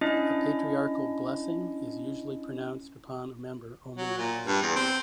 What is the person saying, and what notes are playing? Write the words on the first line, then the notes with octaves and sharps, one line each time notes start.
A patriarchal blessing is usually pronounced upon a member only once.
C#4 D4 E4 D#5
F#3
A#2
G2
E2
C4